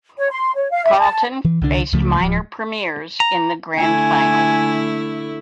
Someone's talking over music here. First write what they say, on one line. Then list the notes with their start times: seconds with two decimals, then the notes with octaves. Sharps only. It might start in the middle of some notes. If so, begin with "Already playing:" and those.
Carlton faced minor premiers in the Grand Final.
0.18 C#5
0.31 C6
0.56 C#5
0.71 F5
0.85 E5
0.99 A5
1.44 E3
1.61 C2 D3 D4
1.92 C#2 C#3 F3 A3
2.21 D1 F3
3.20 A#5
3.78 D3 A3 E4 G#5